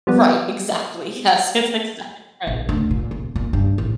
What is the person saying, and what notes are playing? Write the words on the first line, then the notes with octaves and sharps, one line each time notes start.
Right, exactly, yes, that's exactly right.
F3 G3 B3
A#1
D2
A#2
D#1
A#2
G2
A1